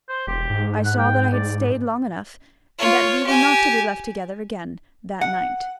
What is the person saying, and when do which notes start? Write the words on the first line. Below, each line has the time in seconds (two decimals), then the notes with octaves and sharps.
I saw that I had stayed long enough, and that we were not to be left together again, that night.
0.09 C5
0.27 E1 G4
0.50 G#2
0.85 F#5
0.99 G#2 G5
1.32 D5
2.79 F4 C#5
3.27 G4 G#5
5.21 F#5